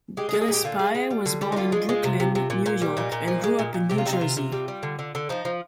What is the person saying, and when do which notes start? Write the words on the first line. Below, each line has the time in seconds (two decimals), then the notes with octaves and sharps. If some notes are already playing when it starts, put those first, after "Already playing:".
Gillespie was born in Brooklyn, New York, and grew up in New Jersey.
0.17 G#3 G4
0.29 G#4
0.33 G#3
0.41 G#4
0.48 A#2 G4
0.64 D3 F4
0.79 G#3
0.95 G#3
1.11 G3
1.26 D3
1.41 G3
1.52 D#4
1.56 D3 F4
1.72 G#3
1.89 G#3
2.04 C3
2.20 C3
2.35 C3
2.50 A#2
2.66 A#2
2.82 G3
2.97 A#2 D#4
3.12 A#2
3.28 F3
3.44 G#3
3.59 A#2
3.74 A#2
3.90 C3 G4
3.98 F4
4.05 C3 D#4
4.13 F4
4.21 C3
4.36 C3 F4
4.52 G3
4.68 G3
4.83 D3
4.99 D3
5.15 D3
5.29 F3 D#4
5.45 F3